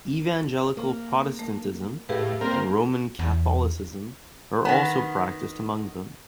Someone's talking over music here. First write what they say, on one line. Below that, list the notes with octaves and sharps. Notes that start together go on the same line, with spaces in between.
Evangelical Protestantism and Roman Catholicism are also practiced among them.
A#3
A3
A2 G4 G#4 B4 F5
G3 A#3 C4 A#4
E2
D#3 B3